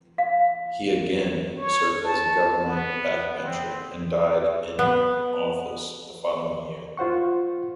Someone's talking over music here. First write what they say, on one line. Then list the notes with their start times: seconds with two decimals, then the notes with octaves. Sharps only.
He again served as a government backbencher, and died in office the following year.
0.18 F5
1.57 C#5
2.04 A5
2.63 B3
3.42 C4
4.79 B3
6.97 F4 C5 F#5 C#6